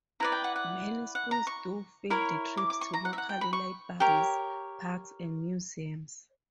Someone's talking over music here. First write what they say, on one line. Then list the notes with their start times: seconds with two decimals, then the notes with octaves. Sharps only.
Many schools do field trips to local libraries, parks, and museums.
0.20 E4 B4 D5 A#5
0.32 G5
0.44 F#5
0.56 F#5
1.15 F#5
1.31 A#5
1.47 C#6
2.10 E4 A#4 C#5
2.57 D6
2.70 D6
2.81 C#6
2.94 A#5
3.05 F#5
3.13 E5
3.18 F#5
3.29 G5
3.41 B5
3.53 C#6
4.00 G4 A#4 C#5